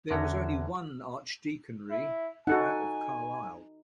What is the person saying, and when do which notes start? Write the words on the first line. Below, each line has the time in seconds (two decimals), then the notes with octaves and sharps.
There was only one archdeaconry, that of Carlisle.
0.11 E2 D3 C#4 F#4 A#5
1.90 E4
2.47 D#4 F#4 A4 F#5 G#5